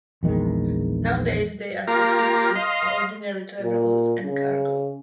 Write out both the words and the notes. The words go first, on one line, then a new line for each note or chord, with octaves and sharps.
Nowadays they are focused on ordinary travellers and cargo.
A#1 E2 D#3 G#3
A#3 F4 G4 A#4
D#5 F5 C6
A#2
C#3